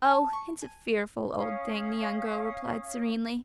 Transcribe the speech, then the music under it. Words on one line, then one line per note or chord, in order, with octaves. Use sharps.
"Oh, it's a fearful old thing!" the young girl replied serenely.
A5
C#6
G#5
C#4 C#5 F5 D#6